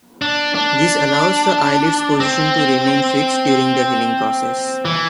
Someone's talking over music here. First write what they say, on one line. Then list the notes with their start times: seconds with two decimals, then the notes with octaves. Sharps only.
This allows the eyelid's position to remain fixed during the healing process.
0.22 D4
0.55 D4
2.20 C4
4.85 E3